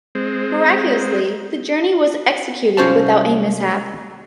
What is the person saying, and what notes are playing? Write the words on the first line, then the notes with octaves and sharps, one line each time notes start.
Miraculously, the journey was executed without mishap.
G#3 C4
C2 C#4 F4 C5 C#5 A5